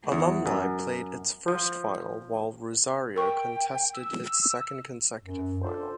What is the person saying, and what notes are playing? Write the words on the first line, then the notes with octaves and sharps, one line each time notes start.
Alumni played its first final while Rosario contested its second consecutive final.
E2
F#2
F3
A#4 G5 C#6
E6
F#2
D4 F4 A4 C5